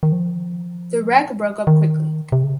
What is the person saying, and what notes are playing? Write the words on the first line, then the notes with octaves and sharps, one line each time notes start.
The wreck broke up quickly.
D#3
F3
D#3
C3
C#3